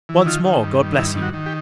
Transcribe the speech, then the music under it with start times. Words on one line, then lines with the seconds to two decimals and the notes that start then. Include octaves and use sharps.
Once more, God bless you!
0.09 E3
0.26 D#3 F4
0.44 D#3
0.63 G2
0.80 D#3
0.98 G2 E4
1.16 D#3
1.22 F#4
1.33 D#3
1.46 G4